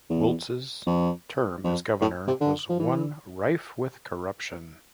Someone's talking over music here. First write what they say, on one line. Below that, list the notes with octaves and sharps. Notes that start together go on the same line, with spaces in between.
Wiltz's term as governor was one rife with corruption.
E2
F2
F2
A2
C3
D3
F3
E3